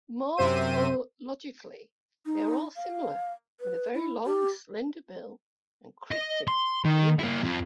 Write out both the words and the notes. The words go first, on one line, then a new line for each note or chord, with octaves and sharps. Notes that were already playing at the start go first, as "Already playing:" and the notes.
Morphologically, they are all similar, with a very long slender bill and cryptic plumage.
F#2 C3 C4 C5 E5 D#7
D#4
F5
B4
E4
G4
D#5
C6
D#3
A#3 E4
F2